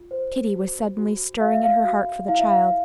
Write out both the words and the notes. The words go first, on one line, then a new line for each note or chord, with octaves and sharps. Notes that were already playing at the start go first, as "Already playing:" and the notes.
Pity was suddenly stirring in her heart for the child.
Already playing: F4
C5
F#4
F#4
F#4 F5
E5
F5
F#4
E4 F5
E5
F5